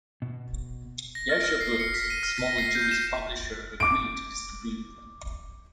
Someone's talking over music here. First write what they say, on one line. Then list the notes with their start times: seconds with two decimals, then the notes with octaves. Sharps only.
Yashar Books, a smaller Jewish publisher, agreed to distribute them.
0.22 B2
1.15 A#6
1.30 F6
1.43 F6
1.61 C7
1.80 C#7
1.94 B6
2.10 D#7
2.23 F6
2.38 A#6
2.58 C7
2.75 G6
2.91 E7
3.80 D6 D7